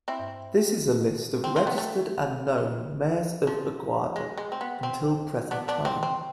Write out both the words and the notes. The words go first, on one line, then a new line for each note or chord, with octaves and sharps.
This is a list of registered and known mayors of Aguada, until present time.
C4 E4
C4
C4
B3
A3
F3
G#3
G#3
C4
B3
C4
B3 D4
B3 D4
C4
C4